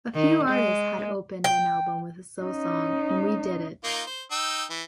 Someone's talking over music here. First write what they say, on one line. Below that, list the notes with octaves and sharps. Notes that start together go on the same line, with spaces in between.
A few artists had opened an album with a slow song and we did it.
D#3
G#3
G5
C#4 D#4
A#3 D#4 F4
C5
D#4 G5 E6
E3